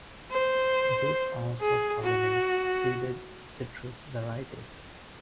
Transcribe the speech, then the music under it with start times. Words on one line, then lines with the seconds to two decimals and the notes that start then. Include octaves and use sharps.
This also pollinates seeded citrus varieties.
0.32 C5
1.61 G#4
2.03 F#4